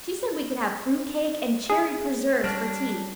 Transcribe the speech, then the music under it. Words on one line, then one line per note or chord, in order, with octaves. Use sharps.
She said we could have fruit cake and cherry preserves for tea.
G#4
G3 D4 C#5 F6 A#6 D7